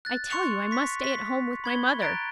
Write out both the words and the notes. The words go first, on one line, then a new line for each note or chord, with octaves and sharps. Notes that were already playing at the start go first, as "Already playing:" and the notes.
I tell you, I must stay at home with my mother.
F#6 A6
C6 C#6 F#6 C#7 F7
C#6 B6
B6
B5 G#6 G7
A#5 F#6 A6 D7